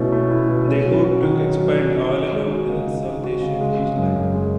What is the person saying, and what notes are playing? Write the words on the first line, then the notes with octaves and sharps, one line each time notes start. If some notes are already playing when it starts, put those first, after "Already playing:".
They hope to expand all along the South Asian coastline.
Already playing: B2 A3 C#4 E4
A3
E4
B2
C#4
F#3
F#4
D#3
C#4
F#3
F#4
D#3
D#4
G#3
F#4
C#3
D#4
G#3
F#4
C#3
G#3
C#3
F#2
F#2
G#3